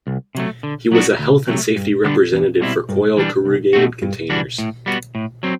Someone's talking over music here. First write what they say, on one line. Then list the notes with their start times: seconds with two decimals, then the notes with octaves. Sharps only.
He was a health and safety representative for Coyle Corrugated Containers.
0.07 C2
0.35 C3 F#3 A3
0.63 D3
0.92 F#3 B3 D4 F#4
1.19 D2
1.48 C3 F#3 A3
1.76 G2
2.04 D3 G3 B3 D4
2.32 E2
2.61 B2 G3 C4 E4
2.89 G2
3.17 E3 G3 D4
3.45 C2
3.73 B2 A3 C4 F#4
4.02 G2
4.30 E3 G3 D4 F#4
4.58 A2
4.86 G3 B3 F#4
5.15 A2
5.43 F#3 C4